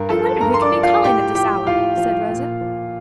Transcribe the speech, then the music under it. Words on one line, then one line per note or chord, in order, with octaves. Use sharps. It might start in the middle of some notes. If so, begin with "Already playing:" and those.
"I wonder who can be calling at this hour," said Rosa.
Already playing: G2 A#4
F3 A4 A5
G2 A#4 A#5
C6
D5 D6
F3
F4 F5
A2 G4 G5
F3 G4 G5
A2 F4 F5
F3
A#2
F3